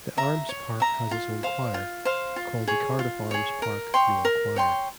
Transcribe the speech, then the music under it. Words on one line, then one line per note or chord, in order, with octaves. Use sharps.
The Arms Park has its own choir, called the Cardiff Arms Park Male Choir.
E5 A#5
C#5
E5 A#5
F4
C5 F5
F4
C5 F5
F4
G#4 C#5
F4
G#4 C#5
A#4
C#5 G5 C6
A#4
C#5 G5 C6